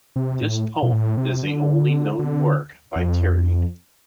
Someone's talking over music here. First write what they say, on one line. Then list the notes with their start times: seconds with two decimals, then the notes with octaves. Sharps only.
This poem is the only known work by Terry.
0.16 C3
0.42 A2
0.83 B2
0.92 A2
1.17 C3
1.43 D3
2.19 D3
2.96 F2